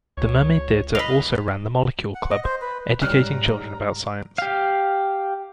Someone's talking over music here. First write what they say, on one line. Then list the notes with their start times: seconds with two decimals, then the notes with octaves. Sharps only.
The Mermaid Theatre also ran the Molecule Club, educating children about science.
0.17 C#2 C#5
0.95 B4 D#5 F5
2.15 F#5
2.31 D#5
2.44 C5
2.61 B4
3.02 G#2 D#3 G3 C#4 A#5 F6 F#6
4.38 G4 F5